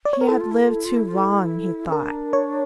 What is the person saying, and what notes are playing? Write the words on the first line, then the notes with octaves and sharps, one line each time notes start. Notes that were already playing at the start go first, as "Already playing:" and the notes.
He had lived too long, he thought.
D5
C#5
A#4
E4 A4
F4
E4
F4
E4
F4
E4
F4
E4
C#4
D4 A#4
C#5